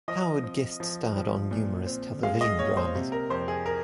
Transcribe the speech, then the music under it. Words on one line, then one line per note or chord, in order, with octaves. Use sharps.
Howard guest-starred on numerous television dramas.
F3 D#5
C4
F3
F3
A#2
C4
G#3 F5
D#5
A#2 C#5
C5
C3
A#4
F2 C5
G#4
A#4